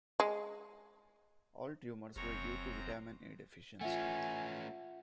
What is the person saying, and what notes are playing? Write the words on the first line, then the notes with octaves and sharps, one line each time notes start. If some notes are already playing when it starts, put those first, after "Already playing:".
All tumours were due to vitamin A deficiency.
G#3
F1 F#2 C4 C#5 A#5
A3 C#4 F4 E5 F#5 G#5